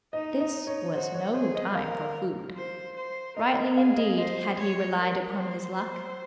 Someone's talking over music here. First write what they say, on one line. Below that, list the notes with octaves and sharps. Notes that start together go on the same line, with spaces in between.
This was no time for food. Rightly indeed had he relied upon his luck.
D#4 D#5
D#5
C#5
F#4 C5
C#5
G#4 C5
D#5
A#4 F5
C5
C5
A#4 D#5
D#5
G#4 F5
D#5
C5 D#5
C#5
A#4
C5